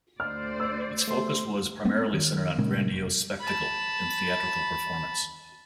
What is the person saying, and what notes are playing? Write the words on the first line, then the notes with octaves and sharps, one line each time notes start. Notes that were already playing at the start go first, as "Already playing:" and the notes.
Its focus was primarily centered on grandiose spectacle in theatrical performance.
D2 C5 D5 F6
E6
A3 C5 C6
A3 B3 C4
D#3
A#2 C#3 G#3 A#3
F1
A5 B5